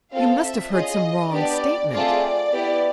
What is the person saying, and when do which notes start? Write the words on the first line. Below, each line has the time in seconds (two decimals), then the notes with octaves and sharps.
'You must have heard some wrong statement.
0.12 C4 F4 A4 F5
0.42 E5
0.72 C#4 F4 G#4 D#5
1.32 B3 D4 G4 D5
1.92 A3 C4 F4 G#4 D5
2.53 B3 E4 G4